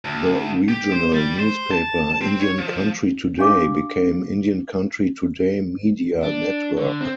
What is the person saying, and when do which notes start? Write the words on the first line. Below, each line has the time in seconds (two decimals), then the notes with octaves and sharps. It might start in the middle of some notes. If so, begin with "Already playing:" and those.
The regional newspaper "Indian Country Today" became "Indian Country Today Media Network".
0.05 D2
0.69 G4
0.92 C5
1.11 G3
1.39 C5
1.72 A5
2.22 C4
2.40 C#5
2.59 F3
3.39 D4 G4 F5 D6
6.23 D4
6.78 D3
7.01 C4